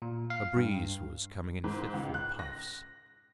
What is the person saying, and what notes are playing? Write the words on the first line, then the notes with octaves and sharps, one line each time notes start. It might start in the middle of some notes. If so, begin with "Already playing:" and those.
A breeze was coming in fitful puffs.
A#2
F5
G2
G#2
C#2
F#6
A#6